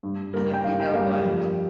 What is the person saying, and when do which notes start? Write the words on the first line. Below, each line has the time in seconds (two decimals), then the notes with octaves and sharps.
Uh-huh you know what?
0.03 G2
0.33 G3 A#3 A#4
0.53 G5
0.64 G2 F5
0.80 G5
0.94 G3 A#3 F5
1.10 G4
1.25 F2